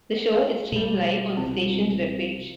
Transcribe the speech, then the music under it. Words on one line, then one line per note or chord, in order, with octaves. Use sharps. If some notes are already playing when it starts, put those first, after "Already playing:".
The show is streamed live on the station's webpage.
G#4 D#5 F5
B2 G3
C2 C4